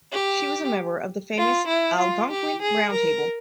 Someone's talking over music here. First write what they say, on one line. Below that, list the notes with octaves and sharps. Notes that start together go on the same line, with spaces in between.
She was a member of the famous Algonquin Round Table.
G4
F4
E4
F4
G4
G#4
A#4